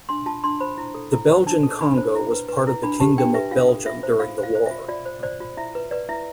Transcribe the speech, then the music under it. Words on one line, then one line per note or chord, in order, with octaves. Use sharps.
The Belgian Congo was part of the Kingdom of Belgium during the war.
D4 C6
F4 A5
D4 C6
C5 B5
E4
A4
E4
C5
D4 A5
A4
D4 B5
C5
E4
B4
B4
E4
D4 B5
G4 A5
D4 G5
B4 E5
F4 F5
A4
F4 E5
C5
F4 F5
C5
F5
C5
E5
F4
F4 D5
C5
C5 D5
F4
E4 E5
B4
B4 D5
E4 E5